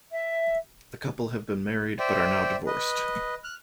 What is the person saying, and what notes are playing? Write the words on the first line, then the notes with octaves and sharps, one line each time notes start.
The couple have been married but are now divorced.
E5
C5 D5 E5 G5
B4 D#5
F6 F#6